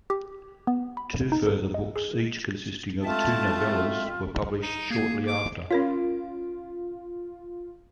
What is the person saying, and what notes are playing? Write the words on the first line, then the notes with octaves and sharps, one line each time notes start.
Two further books, each consisting of two novellas, were published shortly after.
G4
B3
B5
D#4
A4
D#5
G#4
G#3 A3 C4 F4 E5 A5
D#4
A#3 G#4
D6
C#4 F4 A#4 C#5